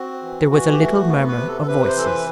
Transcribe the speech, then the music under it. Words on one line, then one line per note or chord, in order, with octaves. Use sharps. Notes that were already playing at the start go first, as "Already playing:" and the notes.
There was a little murmur of voices.
Already playing: C4 F#4
E3
E3 F#4
G4
A3 F#4
B3
B4
C3
A4
A4
C3 B4
C5
E3 A4
B4